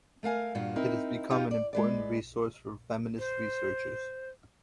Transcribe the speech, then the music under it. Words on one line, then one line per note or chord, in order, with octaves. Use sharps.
It has become an important resource for feminist researchers.
A3 A#4 F5 G#5
G2 A#2 F4 F#4
C4 D#4 E4 A#4
D#4 F4 G4
D5
G#3 B4 D5
C5